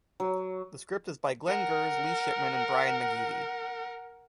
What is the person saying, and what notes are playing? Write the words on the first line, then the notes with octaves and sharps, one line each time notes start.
The script is by Glen Gers, Lee Shipman, and Brian McGeevy.
F#3
A#4 F#5